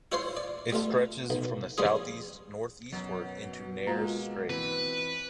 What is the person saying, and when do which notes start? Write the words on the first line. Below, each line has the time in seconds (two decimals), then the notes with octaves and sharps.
It stretches from the southwest northeastward into Nares Strait.
0.12 E4 F4 C5 C#5 F5 C6
0.37 D5
0.72 G3 A3 F4
1.30 B1
1.78 F3 G3 C#4 F4 G#4
2.92 F#2 B2 F#3
3.87 G#3 A#3 F4 F5 A#5
4.49 E3 C4 B4